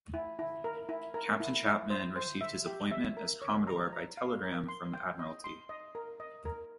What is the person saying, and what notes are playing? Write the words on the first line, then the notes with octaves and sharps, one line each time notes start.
Captain Chapman received his appointment as Commodore by telegram from the Admiralty.
E4
E4
A#4
E4
A#4
E4
E4
C5
C5
E5
G4
E5
A#4
C#5
A#5
A#5
F5
A#4
C6
G5
D#5
C6
D#5
A#4
D#5
A#4